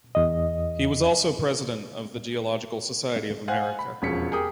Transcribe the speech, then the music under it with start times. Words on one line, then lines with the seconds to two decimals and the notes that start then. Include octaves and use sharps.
He was also President of the Geological Society of America.
0.15 E2 D#5
3.48 C5 F5 F#5 G#5
3.79 B5
4.02 E1 F2 C#4 B6 C#7
4.31 G4 G#4 A#4 G5 D#6